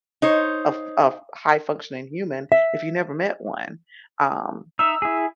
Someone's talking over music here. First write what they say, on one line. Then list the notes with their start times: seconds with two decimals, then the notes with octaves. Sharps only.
a f a f high functioning human, if you never met one? Um,
0.22 D#4 C5 C#5
2.52 E5
4.79 D#4 E5 E6
5.02 E4 G#4